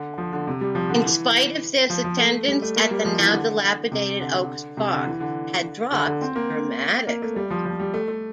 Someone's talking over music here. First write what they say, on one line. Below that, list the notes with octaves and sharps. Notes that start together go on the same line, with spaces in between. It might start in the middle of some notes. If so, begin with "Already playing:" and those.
In spite of this, attendance at the now-dilapidated Oaks Park had dropped dramatically.
Already playing: D3
F3
D3
C3
G3
F3
D3
E3
F3
F3
A3
G3
A3
A#3
G3
F3
E3
D3
C3
D3
C3
D3
E3
D3
D3
D3
C4
A#3
A#3
A3
G3
F3
F3
G3
A3
A3